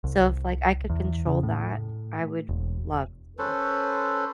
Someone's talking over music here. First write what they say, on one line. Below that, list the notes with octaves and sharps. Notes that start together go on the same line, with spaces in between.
So, if like I could control that, I would love to.
C2
E2
C#3
A2
E1
C#4 A4 B4 C5